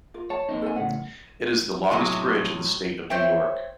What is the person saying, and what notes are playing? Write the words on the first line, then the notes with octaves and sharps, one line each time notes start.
It is the longest bridge in the State of New York.
F4 A#4
C#5 A5
A#3 C4 D#4
A4 C5 G#5
A2 C#3 F#5
A2 C3 F#3 G#3
C5 C#5 E5 G5